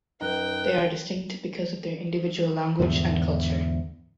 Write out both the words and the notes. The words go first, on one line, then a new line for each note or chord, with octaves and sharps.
They are distinct because of their individual language and culture.
F#2 D#4 B4 G5 F#6
E2 G#2 D3